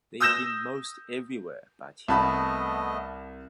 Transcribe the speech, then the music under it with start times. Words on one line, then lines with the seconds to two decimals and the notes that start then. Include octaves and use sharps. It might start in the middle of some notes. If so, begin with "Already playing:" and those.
They’ve been most everywhere but here.
0.20 D#6 E6 G6 A#6 E7
2.08 C2 A3 B3 D#5 A5 B5